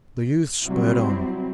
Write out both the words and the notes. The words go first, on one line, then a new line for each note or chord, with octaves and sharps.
The youths spurred on.
C3 F#3 G3 C4 E4